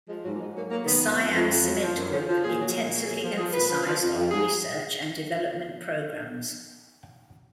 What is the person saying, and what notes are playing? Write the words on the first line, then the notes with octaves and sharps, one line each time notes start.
The Siam Cement Group intensively emphasized on research and development programs.
F3 G#3
G#2 F#3
A#3
G#2 G#3
F#3 A#3
F#3 A#3
D#3 B3
F2
F2
F2
F2
F#3
F3
F#2
F3 C#4
F3
A#2 G#4
F#3
A#2
F#3
F3 G#4
F3
F3 G#4
A#2 B4
F3
F3
F2
F2
G#2 G#4